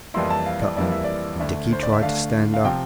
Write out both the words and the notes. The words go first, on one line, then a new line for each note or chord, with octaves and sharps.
He cut them, and Dickie tried to stand up.
F2 E3 G3 A#3 E4 C6
A5
F5
D5
F2 E3 G3 A#3 E4 D5
E5
D5
D2 D3 A3 D4 E5
C5
D5
E5
D2 D3 A3 D4 F5
F5
C3 F3 C4 G5